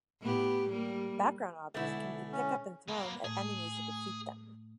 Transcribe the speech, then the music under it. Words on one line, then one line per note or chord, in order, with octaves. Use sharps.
Background objects can be pick up and thrown at enemies to defeat them.
A2 B3 G4
G3 A#3
B1 D3 G#3 A3 E4
C#4
A#3 B3
A2 A3 G#4
A3